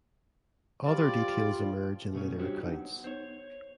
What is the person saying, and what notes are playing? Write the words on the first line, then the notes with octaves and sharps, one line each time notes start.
Other details emerge in later accounts.
F3 G3 F4 D5
B2 A3 C#4
G3 D4 F#4 G4 C5 C#5
B3 D#4
C5 C#5